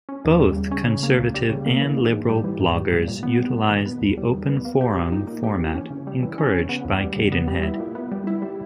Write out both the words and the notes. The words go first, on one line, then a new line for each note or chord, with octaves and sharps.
Both conservative and liberal bloggers utilize the open forum format, encouraged by Cadenhead.
C#4
D#2
G3
C#3
C#4
C#3
A#3
C#2
G3
C#3
A#3
E3
G#2
G#2
G3
E3
G#2
G3
A#2
A#2
B3
G3
A#2
D#3
B3
E2
G3
D#3
B3
A#3
G4
A#2
D#4
A#3
G4
E3
C#4
C#3
G3
E3
C#4
C#3
B3
E2
G3
C#3
B3
G3
E4
A#2
B3
G3
E4
G3